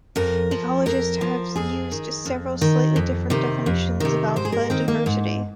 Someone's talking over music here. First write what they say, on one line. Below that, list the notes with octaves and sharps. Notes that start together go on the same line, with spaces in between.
Ecologists have used several slightly different definitions of alpha diversity.
F2 A#4
F3
F2 A#4
F3
F2 G#4
D#3
F2
D#3
F2
C3 D#3
F2
C3 D#3
G#2 C5
G#4
A#4
D#3 C4
A#3
G#2